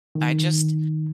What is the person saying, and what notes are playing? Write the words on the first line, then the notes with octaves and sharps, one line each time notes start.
I just
D#3